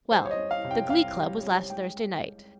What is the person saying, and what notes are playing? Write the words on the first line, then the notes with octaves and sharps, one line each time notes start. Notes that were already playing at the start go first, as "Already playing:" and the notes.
"Well--the glee club was last Thursday night."
G3 C5
C#5
D#5
C#4
F5
C3
G5
C2 F5
G3
C#4
G#3 G5